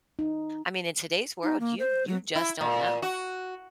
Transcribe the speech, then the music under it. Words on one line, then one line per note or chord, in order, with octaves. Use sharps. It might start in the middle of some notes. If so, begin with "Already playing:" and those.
I mean, in today's world, you you just don't know.
D#4
D#4
A#3
C5
F#3
E4
A#2
F#4